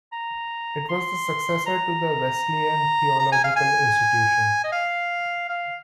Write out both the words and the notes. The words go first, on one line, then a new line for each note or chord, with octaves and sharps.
It was the successor to the Wesleyan Theological Institution.
A#5
C6
A#5
A#5
G#5
F5
G#5
D#5
F5
F5